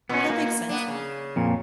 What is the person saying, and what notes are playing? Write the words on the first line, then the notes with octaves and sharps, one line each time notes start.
that makes sense.
A#2 B3 C#4
A#3
B3 D4
C#3
F2 A#2